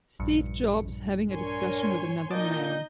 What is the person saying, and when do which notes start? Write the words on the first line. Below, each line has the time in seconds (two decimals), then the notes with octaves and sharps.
Steve Jobs having a discussion with another man.
0.19 A#1 G2 C#7
1.32 D4 A#4 C#5 G#5 C6
2.31 A#2 D#4 D#5 A5 D6 D#6 G6